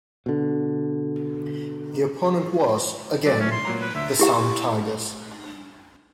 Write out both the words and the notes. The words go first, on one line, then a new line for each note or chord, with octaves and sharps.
The opponent was, again, the Sound Tigers.
B2 D3
F#3 A3 D5
C#4
C6
A#2 F#3 A#5
B4
D2 E5
E4 G4 F5